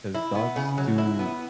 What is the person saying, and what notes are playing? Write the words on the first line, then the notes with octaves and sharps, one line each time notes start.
'cause dogs do
E4
B3
C#3
F#3
E4
B3